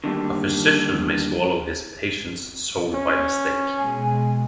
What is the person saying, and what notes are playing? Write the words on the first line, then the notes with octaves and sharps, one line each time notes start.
A physician may swallow his patient's soul by mistake.
D3 D#3 G3 A3 A#3
C#4
B2 G#3 G#5